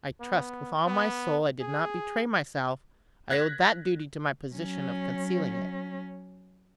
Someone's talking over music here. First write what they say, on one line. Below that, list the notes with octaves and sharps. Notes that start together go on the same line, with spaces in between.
I trust with all my soul I did not betray myself, I owed that duty to my position of concealing it.
B3
B3
G#4
F#6 G#6 A#6 B6
F#3 C#4